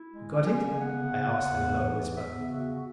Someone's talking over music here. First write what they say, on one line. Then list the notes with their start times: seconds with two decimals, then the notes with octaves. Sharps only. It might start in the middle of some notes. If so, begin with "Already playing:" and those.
"You got it?" I asked in a low whisper.
Already playing: E4
0.12 G#3
0.34 C#4
0.46 G#5
0.57 C#3
0.79 B3 F#5
1.03 C#3
1.25 C#3
1.48 E2
1.71 E3
1.92 E2
2.15 B3 E5
2.38 C#3
2.48 F#4
2.60 C#3
2.75 F#4